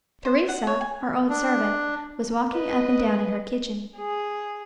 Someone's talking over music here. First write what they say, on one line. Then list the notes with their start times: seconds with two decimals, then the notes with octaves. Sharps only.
Teresa, our old servant, was walking up and down in her kitchen.
0.25 C5
0.48 F#5
0.67 C#5
0.81 G#5
1.29 D4
2.53 B4 D#5
3.97 G#4